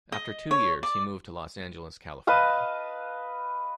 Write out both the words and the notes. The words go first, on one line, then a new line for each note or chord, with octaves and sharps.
After two years, he moved to Los Angeles, California.
D#5
C#5
D5
B4 D#5 F5 A5